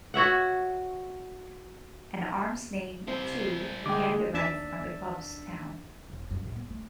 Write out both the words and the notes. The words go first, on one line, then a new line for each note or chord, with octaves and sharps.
An "arms" name, too, can derive from a pub's town.
F#4 C#5 E5 F#5
C4 E4 C5
D3 G#3 G5 D6
D#2 D4 E5 A5
E1
F#2
A#1
B3
A3